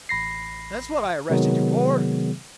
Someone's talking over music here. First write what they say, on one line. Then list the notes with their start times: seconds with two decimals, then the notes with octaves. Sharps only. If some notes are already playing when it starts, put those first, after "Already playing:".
"That's what I arrested you for."
0.09 A1 B5 A#6 C7
1.30 C3 D#3 F#3 G#3 B3 G#4